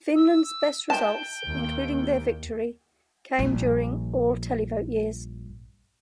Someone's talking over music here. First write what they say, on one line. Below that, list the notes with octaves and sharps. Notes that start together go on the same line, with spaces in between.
Finland's best results, including their victory, came during all-televote years.
E6
G5 A5
D#2
A#1 G2